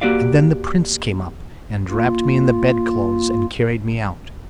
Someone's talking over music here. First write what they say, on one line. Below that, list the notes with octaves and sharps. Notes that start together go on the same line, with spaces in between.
And then the Prince came up and wrapped me in the bedclothes and carried me out.
A#3 F#4 G4 D5 F5
A#3 F4